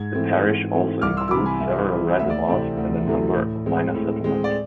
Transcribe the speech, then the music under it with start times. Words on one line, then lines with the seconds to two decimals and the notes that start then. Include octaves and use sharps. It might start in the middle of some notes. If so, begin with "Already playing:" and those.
The parish also includes several reservoirs, and a number of minor settlements.
Already playing: G#2 G#6
0.15 E3 A3 C4
0.44 G#2
0.73 E3 A3 C4
1.02 C2 D6 F6
1.17 C6 E6
1.28 E6
1.31 C3 E3 B5 D6
1.46 G#5 B5
1.60 C2 E5
1.90 C3 E3
2.19 D2 E5
2.30 D5
2.48 C3 E3 A3 C4 D5
2.77 D2
3.07 C3 E3 A3 C4
3.36 A2
3.66 G#3 C4
3.95 A2
4.24 G#3 C4
4.44 D5